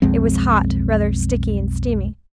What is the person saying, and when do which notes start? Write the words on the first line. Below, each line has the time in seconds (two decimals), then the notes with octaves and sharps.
It was hot; rather sticky and steamy.
0.02 B1 F2 G#3 C4